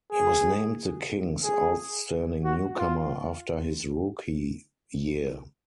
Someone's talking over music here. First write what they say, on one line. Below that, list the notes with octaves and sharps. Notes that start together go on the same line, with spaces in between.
He was named the Kings outstanding newcomer after his rookie year.
G#4
G#4
F#4
F4